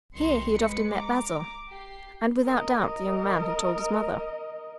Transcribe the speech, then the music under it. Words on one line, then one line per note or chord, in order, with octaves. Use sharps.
Here he had often met Basil, and without doubt the young man had told his mother.
C2 F#2 D#3 C6 C#7
G#3 B4 C#7
A#5 D6
G4 C7
A#4 D#5